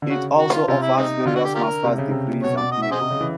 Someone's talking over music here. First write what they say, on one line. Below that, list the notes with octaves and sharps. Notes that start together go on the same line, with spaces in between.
It also offers various Master's degrees and PhD.
D3
C#3 F#4
F#4
F4
C3 F4
E4
G#3 C4 D#4
D3 F4
F#4
G4
F4 G4 A#4
C3
C#3
C3
B2 C#5
B2 D5
D#5
E5
G#4 C5 D#5
C3
C#3
E3